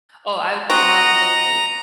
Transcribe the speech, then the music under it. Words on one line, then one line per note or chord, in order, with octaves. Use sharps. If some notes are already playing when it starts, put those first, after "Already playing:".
Oh, I do not blame it.
C4 F#4 D#5 F#5 A#5